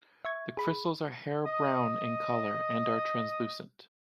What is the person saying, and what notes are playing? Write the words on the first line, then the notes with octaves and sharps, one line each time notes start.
The crystals are hair-brown in color and are translucent.
E5 C#6 G#6
G#4 B5
D#5 D#6